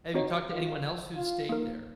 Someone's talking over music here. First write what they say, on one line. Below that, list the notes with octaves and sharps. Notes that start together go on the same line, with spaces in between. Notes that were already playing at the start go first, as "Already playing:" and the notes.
Have you talked to anyone else who's stayed there?
C4 D#4 F#4 C#5
F4
F4
A#3 D#4 A#4